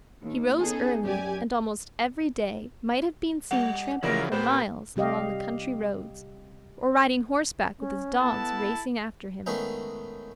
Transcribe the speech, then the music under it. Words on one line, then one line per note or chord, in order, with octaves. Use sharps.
He rose early and almost every day might have been seen tramping for miles along the country roads, or riding horseback with his dogs racing after him.
D#2
B3 C#4 D#4 G#4 A4
F#2 G4 D5 G#5
G3 F#5
C#3 E3 F3 G3 G#3 A#4
A#2 A3 B3 G4 C5
C3 G3 G4 D#5 F5
C#4
B3 E4 A4 A5
D#3 G#3 A3 B3 C#4 D#4